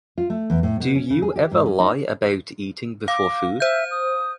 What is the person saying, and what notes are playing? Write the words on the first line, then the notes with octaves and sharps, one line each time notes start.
Do you ever lie about eating before food?
F4
A3
E2
A2
B2
C#4
C#3
G#4
G4
G#2
C#4
D#4
F5 D6
C5 E5 G6
D#6